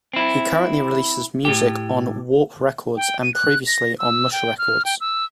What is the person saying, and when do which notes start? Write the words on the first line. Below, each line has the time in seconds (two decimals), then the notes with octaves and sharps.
He currently releases music on Warp Records, and previously on Mush Records.
0.13 C4 E4
1.45 A2 G4
2.97 G5
3.23 D#7
3.34 F#6
3.67 A#6
3.99 E6
4.32 G5
4.58 F6
4.85 G5
5.01 E6